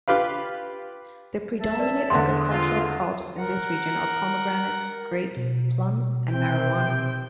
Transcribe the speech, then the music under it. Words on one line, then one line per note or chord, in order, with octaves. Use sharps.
The predominate agricultural crops in this region are pomegranates, grapes, plums, and marijuana.
F4 G4 B4 F5
E5 A5
A#4 B4 D5
E2 D3 C6
C#3 C4 F4
A#4 F#5
B2
C3 C4 G5